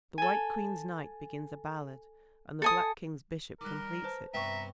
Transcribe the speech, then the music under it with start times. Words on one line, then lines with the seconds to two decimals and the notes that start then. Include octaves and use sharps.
The White Queen's Knight begins a ballad and the Black King's Bishop completes it.
0.18 A4 G#5
2.62 A4 G#5 D#6
3.61 D#3 G3 A#4 D6 F#6
4.04 B4 C5 A5
4.34 G2 C3 B3 E5 G5 A#5 C#6